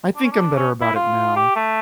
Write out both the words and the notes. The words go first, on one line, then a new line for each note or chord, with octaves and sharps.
I think I'm better about it now.
D4
C#4
D4
C#4
E4
F4
G4
A3